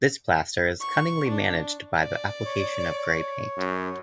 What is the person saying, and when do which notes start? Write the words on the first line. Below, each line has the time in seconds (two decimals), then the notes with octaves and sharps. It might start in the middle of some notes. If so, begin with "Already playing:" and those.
This plaster is cunningly managed by the application of gray paint.
0.81 C#6
1.29 D4
1.98 D5
2.45 C#5
3.57 F#2